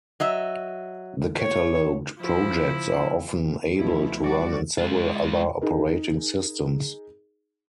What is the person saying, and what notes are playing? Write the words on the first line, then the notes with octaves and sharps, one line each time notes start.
The cataloged projects are often able to run in several other operating systems.
F#3 D#5 E5
C#5
F3 E4
D2 B2 F3 E4
G3 F#4 D5
G#3 F4
D#4 G#4 A#4